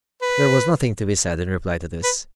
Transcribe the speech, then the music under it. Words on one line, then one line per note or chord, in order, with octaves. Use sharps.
There was nothing to be said in reply to this.
B4
B4